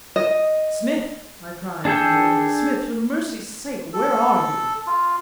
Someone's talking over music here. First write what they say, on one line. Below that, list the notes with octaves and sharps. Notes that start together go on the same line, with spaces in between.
"Smith!" I cried from the window; "Smith, for mercy's sake where are you?"
D#5
D4 G#4 A4 G5
A4
F4